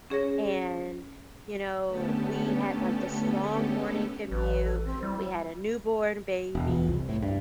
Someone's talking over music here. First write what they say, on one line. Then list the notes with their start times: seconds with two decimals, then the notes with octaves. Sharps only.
And, you know, we had, like, this long morning commute. We had a newborn baby.
0.10 C#4 G#4 C#5 A#6
1.86 D3 A3 B3 C#4 G4 A4
4.31 A1 B4
4.64 A4
4.85 C4
5.03 G3 E4
6.55 E1
6.70 E2
6.88 C2
7.09 A2
7.22 G2